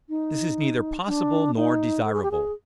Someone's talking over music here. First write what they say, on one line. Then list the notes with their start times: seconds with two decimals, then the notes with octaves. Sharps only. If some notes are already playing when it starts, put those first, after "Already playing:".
This is neither possible nor desirable.
0.09 D#4
1.07 D4
1.56 D#4
2.05 A4
2.13 G#4
2.23 G4
2.31 G#4